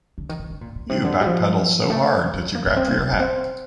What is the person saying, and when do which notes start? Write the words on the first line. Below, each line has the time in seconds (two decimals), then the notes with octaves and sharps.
You back-pedal so hard that you grab for your hat.
0.18 D3
0.29 D#3
0.39 D#3
0.50 D3
0.61 A#2
0.75 A#2
0.89 C3
1.04 D3
1.21 G3
1.26 F3
1.90 A3
2.34 A3
2.55 A#3
2.66 A#3
2.77 C4
2.88 A#3
2.98 A#3
3.13 A#3
3.19 C4